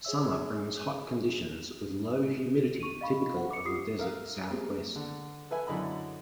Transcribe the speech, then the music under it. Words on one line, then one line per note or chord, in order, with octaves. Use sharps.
Summer brings hot conditions with low humidity typical of the desert southwest.
G#4 C#5 E5 E6
C#6 D#7
D#5 F5 B5 C#6
C5 F#5
D6 C#7
F4 G4 D#6 C7
A#4 E5 F5
G#3 A#3 C4 G4
D3
A4 B4 E5 G#5
F#2 D3 E4 D#5 B5